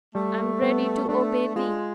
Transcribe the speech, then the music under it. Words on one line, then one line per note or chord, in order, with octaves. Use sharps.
I am ready to obey thee.
G3 A3
B3
A3 D4
G#3 F4